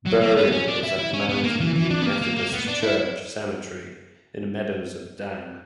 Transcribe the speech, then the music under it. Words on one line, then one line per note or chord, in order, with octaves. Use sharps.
Burial was at Mountain View Methodist Church cemetery in Meadows of Dan.
F#3
A#3
B3
C#4
D4
E4
E4
C#4
B3
A#3
E3
E3
D4
B3
A#3
A#3
A#3
B3
D4
E4